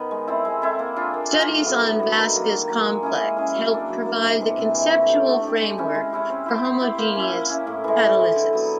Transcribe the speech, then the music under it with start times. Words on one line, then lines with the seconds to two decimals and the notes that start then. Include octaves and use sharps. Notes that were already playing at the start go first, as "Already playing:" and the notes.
Studies on Vaska's complex helped provide the conceptual framework for homogeneous catalysis.
Already playing: D#3 B3
0.11 G#3
0.27 C4 E4 A4
0.45 G#3
0.62 C4 E4 A4
0.79 A#3
0.96 D4 F4 G#4
1.14 A#3
1.30 D4 F4 G#4
1.48 A2
1.66 F#3 B3
1.82 A2
1.99 F#3 B3
2.17 D#3
2.34 F#3 A#3
2.51 D#3
2.69 F#3 A#3
2.86 G#3
3.03 C#4 E4 G#4
3.20 G#3
3.37 C#4 E4 G#4
3.54 F#3
3.71 A#3 D4
3.88 F#3
4.06 A#3 D4
4.23 C3
4.40 E3 G#3
4.58 C3
4.75 E3 G#3
4.92 A3
5.09 D4 G4
5.26 A3
5.43 D4 G4
5.61 G#3
5.78 C#4 E4 G4
5.95 G#3
6.12 C#4 E4 G4
6.29 C4
6.46 E4 G4 C5
6.64 C4
6.81 E4 G4 C5
6.98 A#3
7.15 C#4 E4
7.33 A#3
7.49 C#4 E4
7.67 A2
7.84 E3 G#3
8.01 A2
8.19 E3 G#3
8.36 D3
8.53 F#3 B3